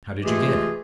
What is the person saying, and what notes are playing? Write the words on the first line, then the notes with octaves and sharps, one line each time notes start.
"How did you get it?"
E3 G#3 A3 F4 G4 G#4